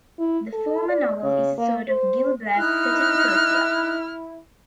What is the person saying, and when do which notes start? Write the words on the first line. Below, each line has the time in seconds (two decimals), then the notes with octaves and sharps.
The former novel is a sort of "Gil Blas" set in Persia.
0.19 E4
0.53 A4
0.89 D5
1.23 C#3
1.58 A#3
1.89 C5
2.58 D#4 E4 F6 F#6